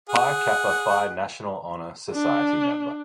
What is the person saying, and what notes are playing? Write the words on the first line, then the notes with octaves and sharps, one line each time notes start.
Phi Kappa Phi National Honor Society member.
G#4 F#5
D4